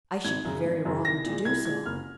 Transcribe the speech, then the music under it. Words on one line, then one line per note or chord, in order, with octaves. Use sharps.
I should be very wrong to do so.
G#1 G#6
F#2 C#3
G#1
F#2 C#3
C2 A#6
A#2 G#3
C2 G#6
A#2 G#3 G#6
F#1 F6